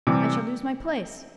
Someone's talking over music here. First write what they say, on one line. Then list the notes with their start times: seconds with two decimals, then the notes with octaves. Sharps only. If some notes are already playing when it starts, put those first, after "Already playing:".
I shall lose my place.
0.07 C3 E3 G3